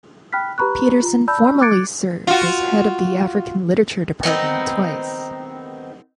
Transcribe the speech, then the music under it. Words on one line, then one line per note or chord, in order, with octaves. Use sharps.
Peterson formerly served as Head of the African Literature Department twice.
G5 B5 F6 F#6 B6
G4 B4 A#5 B5 C#6 F#6
F4 A#5
D5 A5 B5 E6 G6
D6 F#6 G#6 A6 C#7 D7
F4 F#4
D#3 B3 C4 D#4